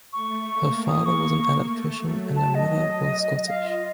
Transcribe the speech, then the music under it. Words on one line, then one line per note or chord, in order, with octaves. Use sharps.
Her father was an electrician and her mother was Scottish.
A3 C#6
A#3
A#3 D#6
C#6
A3
F#3
F#3 A5
D#5
F4 F5
D#5